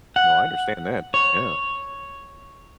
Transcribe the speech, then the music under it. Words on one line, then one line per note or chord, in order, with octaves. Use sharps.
No, I understand that. Yeah.
F#5
C#5